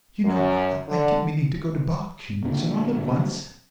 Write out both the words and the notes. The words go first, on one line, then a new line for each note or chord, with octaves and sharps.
"You know, I kept meaning to go to Botkin's, and all at once...."
F#2
D3
A#2 D3